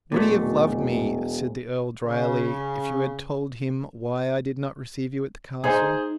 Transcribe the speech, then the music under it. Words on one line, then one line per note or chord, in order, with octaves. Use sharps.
"Would he have loved me," said the Earl dryly, "if you had told him why I did not receive you at the Castle?"
E1 A#2 F#3 A3
C#3
D#4 G#4 C5